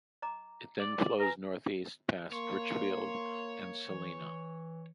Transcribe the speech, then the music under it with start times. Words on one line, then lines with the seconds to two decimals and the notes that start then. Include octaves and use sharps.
It then flows northeast past Richfield and Salina.
0.22 D#5 A#5 D6
0.80 D5
1.20 B4 G#5 A#5
2.32 A#3 C#5 C6
3.88 E3